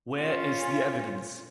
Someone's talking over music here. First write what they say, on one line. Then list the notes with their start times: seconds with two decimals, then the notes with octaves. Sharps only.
Where is the evidence?
0.18 C#4 F4